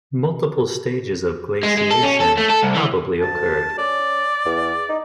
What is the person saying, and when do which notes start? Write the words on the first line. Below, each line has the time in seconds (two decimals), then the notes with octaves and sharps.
Multiple stages of glaciation probably occurred.
1.63 G#3
1.77 G#3
1.91 A4
2.03 C#4
2.20 A4
2.38 A3
2.50 A4
2.63 C2
2.75 E3
3.21 D2 A5
3.78 C#4 D5
4.45 E2
4.89 D#4